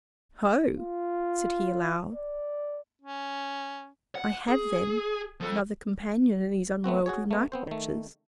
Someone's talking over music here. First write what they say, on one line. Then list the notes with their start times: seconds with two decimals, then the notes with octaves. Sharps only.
'Ho!' said he, aloud, 'I have then, another companion in these unworldly night--watches.
0.78 F4
2.15 D5
3.01 C#4
4.15 F#5
4.48 G#4
5.40 F3 A4
6.84 A3 B3 C4 F#4
7.06 F#4 G#4 C#5
7.31 A3 B3
7.52 B3 C4 C5
7.67 D#3 A3